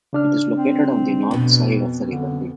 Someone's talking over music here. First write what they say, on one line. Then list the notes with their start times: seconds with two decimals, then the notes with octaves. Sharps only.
It is located on the north side of the River Lee.
0.13 C#3 D4 F6
0.56 C4
1.31 F2 B2
2.11 D3